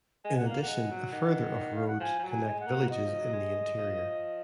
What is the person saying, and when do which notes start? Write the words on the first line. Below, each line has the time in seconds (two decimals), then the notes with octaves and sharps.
In addition a further of roads connect villages in the interior.
0.24 G#3 G#5
0.36 G#3 F#5
0.46 A#3 F5
0.61 F#5
0.68 G#3
0.91 F#3
1.13 D#3
1.75 F5
1.87 F#5
2.00 F3 G#5
2.19 F3
2.24 F#3
2.30 G#5
2.45 G#3
2.60 F#5
2.67 A#3
2.89 F#4 D#5
3.06 F3
3.19 F#3
3.33 G#3
3.78 F3